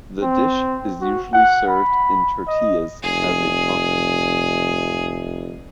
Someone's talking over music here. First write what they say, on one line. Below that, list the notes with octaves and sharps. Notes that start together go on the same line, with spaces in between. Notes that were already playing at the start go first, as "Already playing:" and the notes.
The dish is usually served in tortillas as a taco.
C4
F#4
F#5
B5
D#5
F1 G#4